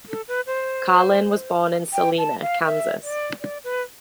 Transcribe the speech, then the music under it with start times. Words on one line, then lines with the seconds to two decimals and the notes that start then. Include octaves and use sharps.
Carlin was born in Salina, Kansas.
0.09 A4
0.28 B4
0.47 C5
1.93 G5
2.18 A5
2.42 F5
2.66 E5
3.03 D5
3.41 D5
3.64 B4